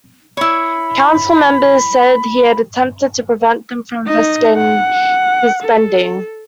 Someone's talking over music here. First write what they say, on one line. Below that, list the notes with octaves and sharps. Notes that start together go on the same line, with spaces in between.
Council members said he had attempted to prevent them from investigating his spending.
E4 C#5 B5
D#4 D#5
F#5
A4